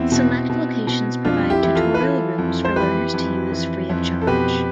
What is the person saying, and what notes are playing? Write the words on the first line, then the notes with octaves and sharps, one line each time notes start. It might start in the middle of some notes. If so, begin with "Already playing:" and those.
Select locations provide tutorial rooms for learners to use free of charge.
Already playing: E2 C4 E4
B2
B2
B2
F2 D4 F4
E4 G4
E3
F4 A4
B4
E3 F4 A4
F2
C5
E3 G4 B4
F2
E3
F2
A4
B2 G4 B4